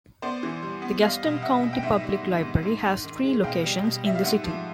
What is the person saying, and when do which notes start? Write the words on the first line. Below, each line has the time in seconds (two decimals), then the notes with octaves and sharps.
The Gaston County Public Library has three locations in the city.
0.22 B3 C5 D5
0.43 E3
0.63 G3
0.82 B3
1.02 G3 D#5 F5
1.23 B2
1.42 B2 E5 F#5
1.63 B2
1.73 G5
1.83 G#2 E5 F#5
2.03 G3
2.23 D#3
2.43 G#2
2.63 G#2
2.83 G#2
3.04 D#3
3.23 G#3
3.43 B2 F5 G5
3.63 G3
3.84 B2
4.04 G3 E5
4.15 F5
4.23 G#2 E5 F#5
4.44 F3